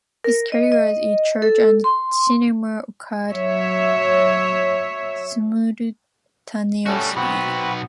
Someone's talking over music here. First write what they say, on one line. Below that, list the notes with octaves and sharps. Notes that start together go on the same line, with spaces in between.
His careers in church and cinema occurred simultaneously.
A#4
D#5
D#5
A4
C6
F#3 C#5 E5
G3 A3 C#4 F#4
B1 B3 C4 F#4 B5